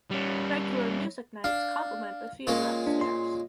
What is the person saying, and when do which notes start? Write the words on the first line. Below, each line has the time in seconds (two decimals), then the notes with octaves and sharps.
Regular music nights complement the theatre upstairs.
0.11 G3 C#4
1.44 D4 F5
2.47 A#2 G#3 C#4
2.87 D4
3.01 C6